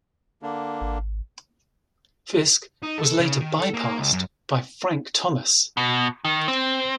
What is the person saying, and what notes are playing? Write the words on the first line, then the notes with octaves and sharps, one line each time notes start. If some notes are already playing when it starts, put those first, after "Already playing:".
Fisk was later bypassed by Frank Thomas.
D3 A#3 D4
G#1
D#4
A4
C#3
D#3
A4
A#3
C#2
F#2
B2
D#3
C4